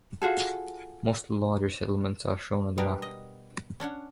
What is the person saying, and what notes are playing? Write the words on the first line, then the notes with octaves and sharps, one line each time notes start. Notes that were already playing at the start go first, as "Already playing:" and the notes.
Most of the larger settlements are shown on the map.
F4 F#4 G#4 A4
B2 G3 B3 D4 A#4
D#5
C#4 D4 C#5 F#5